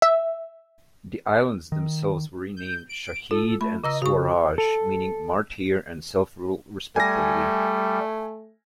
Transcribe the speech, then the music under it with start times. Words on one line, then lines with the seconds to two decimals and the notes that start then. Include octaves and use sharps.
The islands themselves were renamed "Shaheed" and "Swaraj", meaning "martyr" and "self-rule" respectively.
0.02 E5
1.72 D#3
2.56 G6
2.89 D7
3.31 F4 A4
3.61 A3 B5
3.84 C#3 D#5 A#5 E6
4.02 C#3 F#4 C#6
4.58 A4
6.96 G3 A3 G#5 A#6